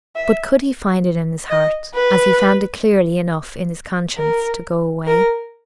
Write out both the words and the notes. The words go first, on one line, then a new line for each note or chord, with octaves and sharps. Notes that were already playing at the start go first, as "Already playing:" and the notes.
But could he find it in his heart--as he found it clearly enough in his conscience--to go away?
E5
D#5
B4
A#4
A#4